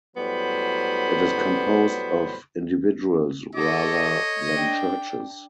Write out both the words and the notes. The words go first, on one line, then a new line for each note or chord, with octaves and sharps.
It is composed of individuals rather than churches.
A2 F#3 G3 B3 C5 B5
A4 C#5 D#5 D6
D4 G5